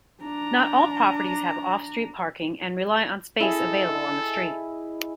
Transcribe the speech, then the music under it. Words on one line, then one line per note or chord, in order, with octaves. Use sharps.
Not all properties have off-street parking and rely on space available on the street.
D4 A#5
E4 G#4 A4 D#5